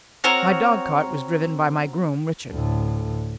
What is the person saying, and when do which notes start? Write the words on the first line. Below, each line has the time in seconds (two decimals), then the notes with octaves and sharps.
My dogcart was driven by my groom, Richard.
0.24 C4 F#4 A#4 C#5
2.51 D2 A2